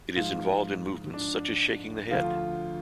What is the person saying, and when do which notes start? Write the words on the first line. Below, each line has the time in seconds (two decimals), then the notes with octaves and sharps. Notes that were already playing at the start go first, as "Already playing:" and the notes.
It is involved in movements such as shaking the head.
0.16 G#2 F3 F4
1.14 D4
2.11 D2 D3 F3 F4